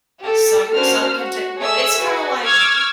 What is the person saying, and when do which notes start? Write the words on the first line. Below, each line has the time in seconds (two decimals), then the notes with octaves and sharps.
some some can ta well, it's kinda like,
0.20 G4 A4
0.73 A#3 C#4 D4 F#4 C5 F6
1.18 F#4
1.58 A3 G#4 C#5 E5 E6
1.97 F#4 G#4 B4
2.43 C#6 D6 E6 F6 G#6